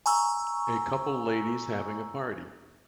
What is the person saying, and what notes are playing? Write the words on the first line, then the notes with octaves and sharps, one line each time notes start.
A couple ladies having a party.
G#5 A#5 C#6 E6